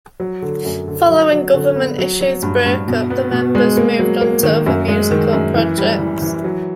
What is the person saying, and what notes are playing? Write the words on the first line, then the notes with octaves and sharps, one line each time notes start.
Following Government Issue's breakup the members moved on to other musical projects.
F#3
D3
F#2
D3
F#3
F#3
D3
B3
F#3
F#3
G2
G2
B2
B3
B2
G#3
A#3
F#3
A#3
D#3
F#2
G#3
D#3
F#2
E3
G3
E3
E3
F#3